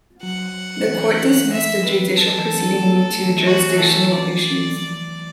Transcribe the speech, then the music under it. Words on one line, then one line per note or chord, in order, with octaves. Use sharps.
The court dismissed the judicial proceeding due to jurisdictional issues.
F#3 F#5
E3
E5
B4
F#3 A4
E3
F#3
A3
F#3
B3
A3
E3
E3 F#4
E3 A4
D5